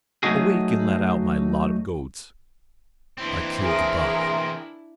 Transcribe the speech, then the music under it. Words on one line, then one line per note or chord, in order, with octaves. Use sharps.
Awake and let out my lot of goats.' I killed the buck.
F#3 A3 D#4 F#4 G#4
E3 C4 D4 E4
G#4 A#4 E5